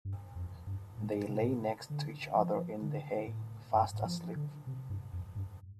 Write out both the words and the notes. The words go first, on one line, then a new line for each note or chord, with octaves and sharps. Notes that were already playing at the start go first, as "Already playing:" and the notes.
They lay next to each other in the hay, fast asleep.
G2
F2
G2
A2
C3
D3
F3
D3
A2
G2
F3
D3
C3
G2
F2
G2